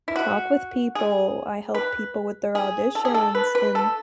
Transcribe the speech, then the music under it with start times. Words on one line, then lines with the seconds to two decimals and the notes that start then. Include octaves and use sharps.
talk with people, I help people with their auditions and
0.08 E4
0.16 F#4
0.95 G#4
1.75 B4
2.55 G#4
2.95 A4
3.05 G#4
3.14 A4
3.35 B4
3.55 B4
3.75 A4